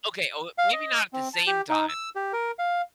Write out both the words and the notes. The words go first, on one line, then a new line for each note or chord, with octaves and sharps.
Okay. Oh, maybe not at the same time
F5
D#5
C4
A5
G4
D#4
E6
G4
A#4
F5